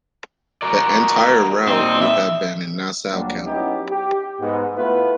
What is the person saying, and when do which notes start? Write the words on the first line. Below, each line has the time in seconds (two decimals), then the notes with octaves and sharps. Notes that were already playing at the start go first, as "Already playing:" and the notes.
The entire route would have been in Nassau County.
0.62 F#4 A#4 D5
1.67 A#2 C4 D#4
2.01 E5
3.12 D2 A#2 F#3 G3 A#3 D4
3.46 F#3 B3 C#4 D#4 E4 G4
3.90 G4
4.40 G#2 B3
4.76 A3 B3 E4 F4 B4